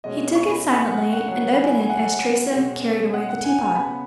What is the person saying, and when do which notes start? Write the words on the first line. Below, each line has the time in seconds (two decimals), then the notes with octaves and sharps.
He took it silently and opened it as Teresa carried away the tea-pot.
0.04 B2 G#3 C#4 D#5
0.35 C#6
0.51 B5
0.66 G#5
0.82 F#5
0.97 F#5
1.13 F#5
1.28 C#3 F#3 C#4 F#5
1.54 B5
1.59 G#5
1.81 G#5
1.90 F#5
2.51 B2 G#3 C#4
3.14 F#5
3.29 F#5
3.44 G#5
3.60 G#5
3.76 C#3 B3 B5